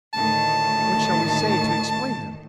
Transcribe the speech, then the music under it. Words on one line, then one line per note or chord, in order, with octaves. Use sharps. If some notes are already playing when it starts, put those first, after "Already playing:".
"What shall we say to explain them?"
D2 A2 D#3 A5